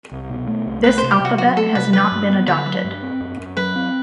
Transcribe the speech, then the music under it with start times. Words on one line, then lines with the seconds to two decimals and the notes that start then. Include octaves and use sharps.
This alphabet has not been adopted.
0.11 C2
0.30 B2
0.47 A3
0.66 C2
0.84 A3 B4
0.98 C5
1.03 C3
1.11 G4
1.20 C3 F#4
1.38 F#3 F#4
1.57 A3 A4
1.75 C3 B4
1.93 F#3 B4
2.11 G2
2.30 B3
2.47 D3 B4
2.66 F#3
2.84 G2
3.02 C4
3.21 F#2
3.39 F#2
3.57 F#3 B4
3.76 C4